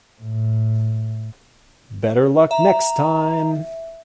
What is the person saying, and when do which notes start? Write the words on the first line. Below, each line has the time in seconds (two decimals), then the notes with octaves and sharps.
Better luck next time!.
0.21 A2
2.51 E5 A#5